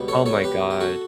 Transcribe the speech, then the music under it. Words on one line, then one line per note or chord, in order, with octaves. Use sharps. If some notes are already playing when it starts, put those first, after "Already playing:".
Oh my god.
Already playing: C#2 B2 G3 B3
A4 C#5
A4 C#5
G4 B4
G4
F#4 A4